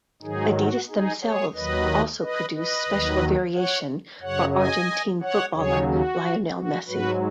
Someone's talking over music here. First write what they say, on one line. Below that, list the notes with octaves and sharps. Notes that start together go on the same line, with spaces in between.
Adidas themselves also produce special variation for Argentine Footballer Lionel Messi.
G#2 D#3 F#3 D#4 G#4
F#4
D#4 G#4
G#4 C#5
D#2 D#3 F#3 B4 D#5
B4 D#5
B4 D#5
D#2 D#3 F#3
C#5 F#5
F#2 C#3 F#3 C#5 F#5
D#5 G#5
C#5 F#5
D#2 C#3 F#3 G#4 C#5
F#4
F#4
G#2 F#3 F#4 B4